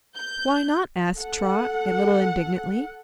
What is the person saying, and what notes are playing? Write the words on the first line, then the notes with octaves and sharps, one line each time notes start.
"Why not?" asked Trot, a little indignantly.
G6
A4 F#5